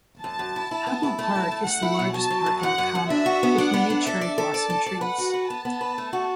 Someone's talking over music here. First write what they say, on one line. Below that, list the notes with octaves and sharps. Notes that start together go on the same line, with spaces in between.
Habu Park is the largest park in Nakama, with many cherry blossom trees.
F#2 A5
F#2
E4
E4
B3
E4
A3 A5
E4
A3
A3 F#5
E4
B2
F#3 A5
F#3
F#2
F#2 F#5
F#2
F#2
D4 E5
F#4
B3
D4 F#5
B3
D4
A4 E5
D5
A4
D5 A5
A4
D5
B4 F#5
F#4
B4
B3 A5
B3
B4
A3
F#4